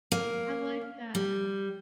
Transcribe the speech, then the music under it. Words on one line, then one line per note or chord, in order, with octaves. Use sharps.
I like that.
A#3
G3